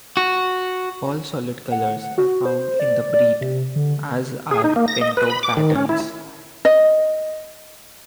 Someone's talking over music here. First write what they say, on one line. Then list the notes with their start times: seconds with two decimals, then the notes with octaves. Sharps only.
All solid colors are found in the breed, as are pinto patterns.
0.17 F#4
1.72 F#5
2.18 F#4
2.45 C5
2.80 D5
3.14 D5
3.41 C3
3.76 D3
4.51 G#4
4.64 D#4
4.76 A#3
4.88 A#6
5.01 D#5
5.17 B4
5.30 B5
5.43 D6
5.57 D#3
5.76 C#4
5.89 E4
6.65 D#5